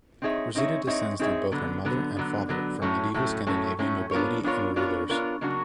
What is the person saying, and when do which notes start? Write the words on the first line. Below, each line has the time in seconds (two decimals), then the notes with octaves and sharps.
Rosita descends through both her mother and father from medieval Scandinavian nobility and rulers.
0.22 C4 D#4 G#4 C#5 E5
0.55 C4 D#4 G#4 C#5 E5
0.87 C4 D#4 G#4 C#5 E5
1.19 C4 D#4 G#4 C#5 E5
1.51 D3 F#3 B3
1.85 D3 F#3 B3
2.16 D3 F#3 B3
2.49 D3 F#3 B3
2.82 A2 F#3 A3 C#4
3.14 A2 F#3 A3 C#4
3.46 A2 F#3 A3 C#4
3.79 A2 F#3 A3 C#4
4.11 B3 D4 F4 A#4 C#5
4.44 B3 D4 F4 A#4 C#5
4.76 B3 D4 F4 A#4 C#5
5.09 B3 D4 F4 A#4 C#5
5.41 C#3 F#3 A#3 D4 F#4